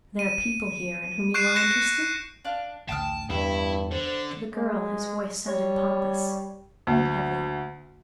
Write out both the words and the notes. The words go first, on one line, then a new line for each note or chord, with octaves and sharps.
"There are people here in whom you are interested?" To the girl his voice sounded pompous and heavy.
D#7
C#6 F#6 G6 C7 D7 E7
F#6 A#6 C#7 E7
D4 F5
A1 D2 D3 G5 A5 D#6 F6
E2 G2 E4 A4
D3 C5
G#3
G3 C#5
D2 A#3